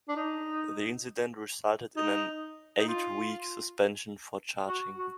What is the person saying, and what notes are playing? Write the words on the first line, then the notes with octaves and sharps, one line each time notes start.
The incident resulted in an eight-week suspension for charging.
D4
D#4
D#4
D#4
F4
F#4
F#4